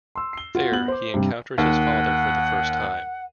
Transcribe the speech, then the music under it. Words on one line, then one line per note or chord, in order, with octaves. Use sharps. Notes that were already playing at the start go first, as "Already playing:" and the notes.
There, he encounters his father for the first time.
C6 E6
C7 G7
F4 F#4
B3 F#7
C5 D6
G2 C3
D#2 F#5